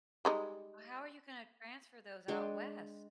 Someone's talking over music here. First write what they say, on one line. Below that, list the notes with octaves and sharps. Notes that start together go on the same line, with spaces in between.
How are you gonna transfer those out west?
G3 G#3 D#4
G#3 D4 G5 C#6